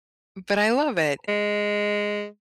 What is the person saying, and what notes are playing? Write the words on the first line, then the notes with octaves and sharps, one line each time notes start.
but I love it.
G#3